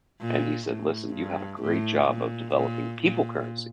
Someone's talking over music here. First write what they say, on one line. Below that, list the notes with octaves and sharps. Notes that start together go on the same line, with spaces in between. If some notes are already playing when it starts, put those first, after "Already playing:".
and he said, "Listen, you have a great job of developing people currency.
A#2
A2
G2
A2
A#2
A#2
A#2